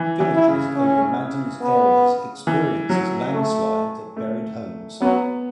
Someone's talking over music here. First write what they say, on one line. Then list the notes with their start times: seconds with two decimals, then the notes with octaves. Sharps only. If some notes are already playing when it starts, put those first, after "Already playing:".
Villages over mountainous areas experiences landslides that buried homes.
Already playing: E3
0.20 E3
0.34 E4
0.48 C#3
0.76 C#4
1.62 B3
2.47 E3
2.90 F#3
3.32 A3
4.16 A3
5.01 F#3 B3